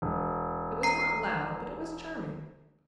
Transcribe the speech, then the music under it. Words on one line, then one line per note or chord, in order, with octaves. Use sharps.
It was not loud, but it was charming.
E1
A#5 C7